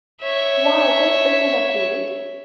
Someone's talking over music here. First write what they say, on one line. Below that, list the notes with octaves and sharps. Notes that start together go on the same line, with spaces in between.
Why, that isn’t a bed!
C#5 E5